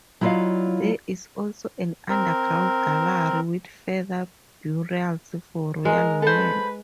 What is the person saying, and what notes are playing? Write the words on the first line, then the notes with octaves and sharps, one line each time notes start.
There is also an underground gallery with further burials for royal women.
F#3 E4 F4 D5 D#5 F5
C4 A#4
G#3 A#4
A4 B4 C5 B5